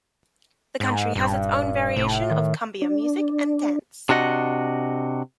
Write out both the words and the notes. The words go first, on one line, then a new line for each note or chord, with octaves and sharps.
The country has its own variation of cumbia music and dance.
G#2
D#1 G2
F1 A2
D#3
D4
C3 D4 F#4 D#5 F#5